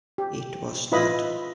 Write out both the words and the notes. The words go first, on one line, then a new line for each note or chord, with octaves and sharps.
It was not.
G4
E4 F4 B4 D#5 B5